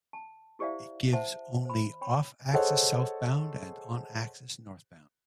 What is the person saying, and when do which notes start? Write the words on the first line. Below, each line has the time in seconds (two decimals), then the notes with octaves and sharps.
It gives only off-access southbound and on-access northbound.
0.13 A5
0.59 E4 G4 C5 D5 E5 F5
1.13 C5 E5 F#5 A5
1.65 C5 B5
2.01 C#5 G5 B5
2.53 G#4 A4 C5 C#5 D#5 F#5